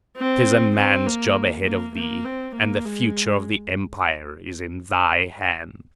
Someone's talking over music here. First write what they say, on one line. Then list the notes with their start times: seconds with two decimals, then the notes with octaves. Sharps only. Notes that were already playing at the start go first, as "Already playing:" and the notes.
'Tis a man's job ahead of thee, and the future of the empire is in thy hands.
0.17 C4
0.77 C4
1.06 A#3
1.66 A#3
1.96 A#3
2.25 C4
2.55 A#3
2.85 G#3